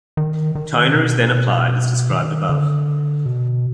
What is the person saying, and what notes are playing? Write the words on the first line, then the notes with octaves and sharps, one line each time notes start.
Toner is then applied as described above.
D#3
D#3
B2
D#3
D3
B2